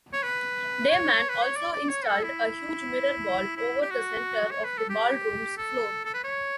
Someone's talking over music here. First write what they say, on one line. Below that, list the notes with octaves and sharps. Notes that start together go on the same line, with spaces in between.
Dayman also installed a huge mirror ball over the centre of the ballroom's floor.
C#5
B4
C#5
B4
C#5
D5
D5
C#5
A4
E4
E4
G4
F#4
C#5
B4
A4
G4
A4
A4
B4
C#5